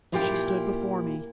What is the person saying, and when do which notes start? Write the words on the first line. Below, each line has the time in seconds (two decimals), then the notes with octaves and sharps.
She stood before me.
0.12 A#2 E4 F4 G4 A#4 G5